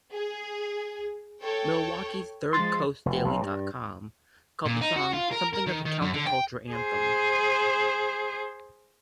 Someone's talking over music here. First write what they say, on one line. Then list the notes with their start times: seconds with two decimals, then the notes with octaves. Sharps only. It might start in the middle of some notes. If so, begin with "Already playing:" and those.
Milwaukee's "Third Coast Daily dot com" called the song "something of a counterculture anthem".
0.13 G#4
1.42 A4 C#5 G5
2.53 F3 G#3 C6 A6
3.06 F1
3.25 B1
3.41 G2
4.66 A#2
4.81 D#4
4.96 F#4
5.13 F4
5.31 A#4
5.53 A#4
5.66 D#3
5.85 D#3
6.02 F#2
6.14 D3
6.27 G5
6.72 G#4 C5